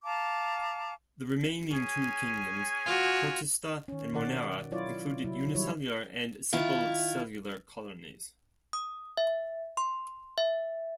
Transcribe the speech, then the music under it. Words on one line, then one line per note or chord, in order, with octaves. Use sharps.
The remaining two kingdoms, Protista and Monera, included unicellular and simple cellular colonies.
F5 A5 A#5 D6
C#4 G#4 G#5
F4 F#4
D#3 C#4
B2 D#3 D5 F#5
F#3 E4 F4 C#5 D5
C3 F#3 E4
D3 D#3 F#3 G3 E4 C#5
D#3 E4 F4
D#6
E5
C6
E5